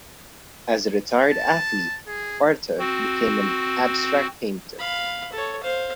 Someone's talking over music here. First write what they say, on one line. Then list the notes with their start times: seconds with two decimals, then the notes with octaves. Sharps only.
As a retired athlete, Oerter became an abstract painter.
1.20 A5
2.07 G#4
2.79 C4 F#4
4.79 F5 B5
5.33 A4 C#5
5.63 C5 F5